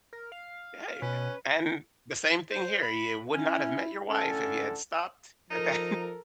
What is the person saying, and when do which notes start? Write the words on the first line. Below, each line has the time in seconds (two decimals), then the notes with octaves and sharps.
Hey, y and the same thing here. You would not have met your wife if you had stopped at that.
0.13 A#4
0.32 F5
1.02 B2 C#4 B4
2.51 C5
2.82 B5
3.34 C#4 E4
4.09 A2 D3 C#4 A4
5.50 F3 D#4 A4 A#4